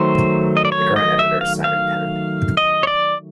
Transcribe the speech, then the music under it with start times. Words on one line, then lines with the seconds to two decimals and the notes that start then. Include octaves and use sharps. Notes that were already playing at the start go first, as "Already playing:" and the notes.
The current editor is Simon Tennant.
Already playing: D#3 F#3 A3 C5
0.57 D#5
0.65 D5
0.72 C#5
0.96 D#5
1.19 E5
1.41 F5
1.64 F5
2.57 D#5
2.83 C#5
2.87 D5